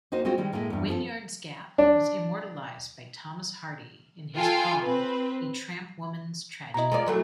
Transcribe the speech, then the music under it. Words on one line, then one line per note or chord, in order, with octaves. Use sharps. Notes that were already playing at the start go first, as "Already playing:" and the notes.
Winyards Gap was immortalised by Thomas Hardy in his poem A Trampwoman's Tragedy.
A#3 D#4 F#4 C5
G#3 A#3 C4 F4 F#4
D#3 G3 G#3
A2 G#3 A#3 A#4
E2 G2
F3 F4 G#4 A4
D4
F4 A4 G5 G#5
C4 B4
B2 E4 D#5 A#5
G#3 F4 D5
E3 F#3 A3